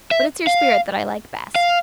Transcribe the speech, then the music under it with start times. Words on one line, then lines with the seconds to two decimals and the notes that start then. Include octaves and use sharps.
But it's your spirit that I like best.
0.11 E5
0.47 F5
1.55 F5